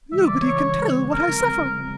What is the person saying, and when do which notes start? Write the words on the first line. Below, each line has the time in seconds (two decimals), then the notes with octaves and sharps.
Nobody can tell what I suffer!
0.12 C#3 E3 G#3 E5
0.25 D5
0.41 C#5
1.13 A#4
1.28 C#3 F3 G#3 C4